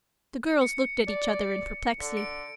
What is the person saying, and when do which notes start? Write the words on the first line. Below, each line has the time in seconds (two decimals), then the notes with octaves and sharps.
The girls looked at each other in perplexity.
0.61 C#7
1.07 D5
2.00 D3
2.17 D7